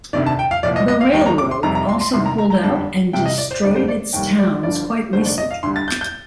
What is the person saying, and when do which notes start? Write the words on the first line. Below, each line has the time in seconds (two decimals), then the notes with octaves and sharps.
The railroad also pulled out and destroyed its towns quite recently.
0.13 D2 C3 D#3 D5
0.26 A5
0.39 G5
0.51 F5
0.63 C2 A#2 F3 D5
0.76 D#5
0.88 D#5
1.01 F5
1.13 D#2 D#3 G3 G5
1.26 A#5
1.38 D6
1.51 C6
1.63 F1 F2 C3 D#3 G3 A#5
1.75 A#5
1.89 C6
2.01 C6
2.13 C2 C3 D#3 G3 C6
2.26 A#5
2.38 A#5
2.50 A#5
2.63 F2 D3 G3 A5
3.13 C2 C3 G3 G5
3.26 D#5
3.38 D5
3.51 C5
3.63 F1 F2 D3 G3 D5
3.76 C5
3.88 D5
4.13 F1 D#2 D#3 G3 G5
4.38 D5
4.63 G1 G2 D3 F3 D5
5.13 F1 D#2 D3 C5
5.26 D5
5.38 D#5
5.51 F5
5.63 D2 D3 G3 C6
5.76 A6
5.88 G6
6.01 G6